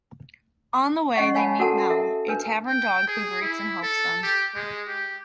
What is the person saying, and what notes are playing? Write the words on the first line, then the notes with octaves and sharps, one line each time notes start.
On the way they meet Mel, a tavern dog who greets and helps them.
C#4 D#5 F#5 C#6
C#5 F5 G#5 A5 B5
F#4 A4 A#4 F#5 A5
A4 A#4 E5
D4 A#4 B4
G5
G#4
E4
A4
G4
G#3
G4